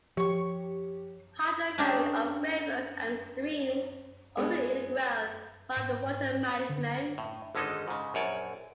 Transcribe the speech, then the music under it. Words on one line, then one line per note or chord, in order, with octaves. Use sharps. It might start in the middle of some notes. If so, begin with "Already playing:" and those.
Hydrography of rivers and streams is also an integral part of water management.
F3 G4 C#5 C#6
C#4 D4 G4 G#4 A#4 E5
G#3 B3
G#2
D3
A2
G#1 D3 G#3 C#4 D#4 A4
G#2 C#3
A#1 F#2 C#5 D5